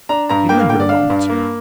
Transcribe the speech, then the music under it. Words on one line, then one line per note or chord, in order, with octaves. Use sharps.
He lingered a moment.
D4 A#5
G2 A#5
A#3 G5
F5
D3 G5
D5
D4 F5
G2
A#3